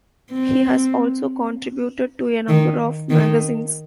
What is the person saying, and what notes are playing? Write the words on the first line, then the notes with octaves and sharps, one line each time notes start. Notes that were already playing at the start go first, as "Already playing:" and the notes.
He has also contributed to a number of magazines.
C4
D#3
D#3